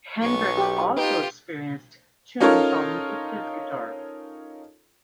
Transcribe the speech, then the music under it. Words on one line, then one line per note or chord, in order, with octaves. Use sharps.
Hendrix also experienced tuning problems with his guitar.
B1 B3 C#6
G4
D#4 F4 G4 B4
C#4 D#4 F4 A4 A#4 C#5